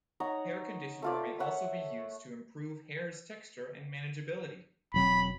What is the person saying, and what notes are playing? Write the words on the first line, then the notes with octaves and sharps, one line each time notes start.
Hair conditioner may also be used to improve hair's texture and manageability.
D#4 C#5 F#5 A#5
A3 F4 D5
C#5 E5 F#5
E1 F#3 C4 B5